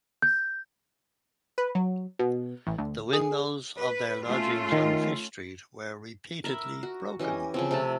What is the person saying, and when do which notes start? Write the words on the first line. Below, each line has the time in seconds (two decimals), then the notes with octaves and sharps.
The windows of their lodgings on Fish Street were repeatedly broken.
0.22 G6
1.58 B4
1.75 F#3
2.19 B2
2.67 A1
2.78 D2
3.13 G#4
3.77 B4
4.27 A3 C#4 F4
4.72 D#3
6.44 A#4 E5 B5
6.83 F#4
7.19 E3 C#4 G4 D#5
7.54 C#3 F3 C4
7.71 C3 A3 A5